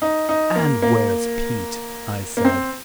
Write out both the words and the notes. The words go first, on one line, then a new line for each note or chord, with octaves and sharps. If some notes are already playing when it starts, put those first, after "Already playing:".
"And where's Pete?" I said.
D#4
D#4
A#3
A#3
A#3
C4